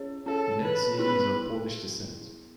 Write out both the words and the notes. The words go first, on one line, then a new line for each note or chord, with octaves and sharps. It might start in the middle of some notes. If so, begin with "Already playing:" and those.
Nedzi is of Polish descent.
Already playing: C#4 G#4 C#5
C#4 G#4 A4 C#5
B4
B3 E4 G#4 B4